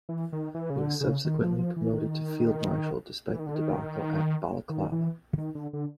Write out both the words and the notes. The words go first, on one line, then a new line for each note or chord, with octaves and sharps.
He was subsequently promoted to field marshal despite the debacle at Balaclava.
E3
D#3
E3
C#3
D3
C#3
D#3
F3
F3
E3
D#3
E3
D#3
D3
D#3
D#3
E3
D#3
D3
D3